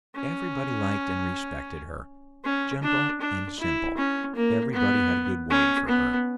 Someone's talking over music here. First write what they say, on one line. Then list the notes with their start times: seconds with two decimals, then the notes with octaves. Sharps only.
Everybody liked and respected her, gentle and simple--everybody had a good word for her.
0.15 C#4
2.45 C#4
2.83 D4
3.21 D4
3.59 E4
3.98 C#4
4.35 A#3
4.74 B3
5.50 C#4
5.88 B3